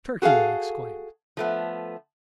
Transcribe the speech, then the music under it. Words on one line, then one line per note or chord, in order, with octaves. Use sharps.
"Turkey!" I exclaimed.
F#4 G#4 A4 F5
F3 A3 B3